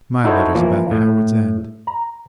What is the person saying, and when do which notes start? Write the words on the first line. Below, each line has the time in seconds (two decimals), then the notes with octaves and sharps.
My letter's about Howards End.
0.24 D#4 E4 F#4 A4 C5 C#5
0.55 E3 F3 A#3
0.91 A2
1.87 A#5